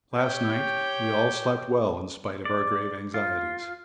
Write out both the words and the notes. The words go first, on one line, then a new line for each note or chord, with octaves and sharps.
Last night we all slept well in spite of our grave anxieties.
G4 C#5 G5
D5
F4